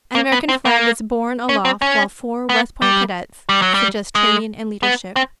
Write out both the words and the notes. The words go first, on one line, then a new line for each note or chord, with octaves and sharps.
An American flag is borne aloft while four West Point cadets suggest training and leadership.
A#3
B3
C4
A#3
C#4
C4
C#4
B3
G3
G3
F#3
G3
G#3
B3
C4